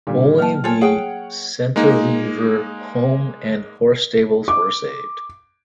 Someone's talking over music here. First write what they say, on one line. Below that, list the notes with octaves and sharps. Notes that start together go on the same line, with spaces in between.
Only the Centlivre home and horse stables were saved.
A#2 D3 G3
F#3 A#3 A5 F6
A#3 F4 A4 C#5 G#5 A5
G#4 C#5 F#5 G5
G#3 A#3 D#4
D6